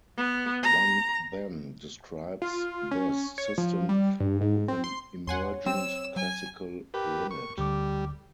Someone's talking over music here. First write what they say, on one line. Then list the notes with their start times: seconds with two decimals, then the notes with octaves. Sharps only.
One then describes this system through an emergent classical limit.
0.18 B3
0.63 A#5
2.42 F4
2.91 C#4
3.38 C#5
3.58 F3
3.89 G3
4.20 G2
4.41 G#2
4.68 C4
4.84 C6
5.27 E2 C#5 F#5 G#5 C6
5.66 F#3 C4 E6
6.16 F#3 G#5
6.94 G4 A#4 B4
7.31 C#6
7.58 D2 D3 G3 D6